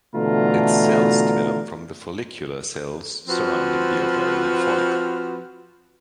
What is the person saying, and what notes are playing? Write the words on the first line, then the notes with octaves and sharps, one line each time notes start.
Its cells develop from the follicular cells surrounding the ovarian follicle.
B2 D3 E3 A3 F4 A#5
F3 C4 F#4 B4